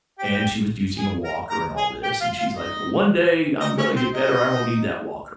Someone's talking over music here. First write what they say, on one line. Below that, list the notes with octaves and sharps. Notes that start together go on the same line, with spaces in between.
and she was using a walker and all this, and she's like, "Well, one day I'm gonna get better, I won't need that walker."
G4 G5
G#4 G#5
A#4 A#5
A#4 A#5
G#4 G#5
G4 G5
F4 F5
F4 F5
D#4 D#5
D#4 D#5
C#4 C#5
C4 C5
D#4 D#5